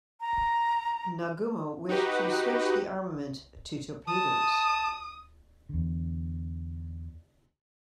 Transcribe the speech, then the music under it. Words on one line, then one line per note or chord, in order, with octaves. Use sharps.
Nagumo wished to switch the armament to torpedoes.
A#5
D#4 F#4 G4 B4
A5 D#6
E2 D3